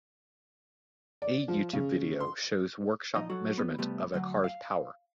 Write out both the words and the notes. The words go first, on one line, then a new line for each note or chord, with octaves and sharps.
A YouTube video shows workshop measurement of a car's power.
D5
F3
C#3
C6
A#2 F3 D#4 D#5
F#3 F#4 A4
B3
C3 G3 A3 B3
D2 F#3
F5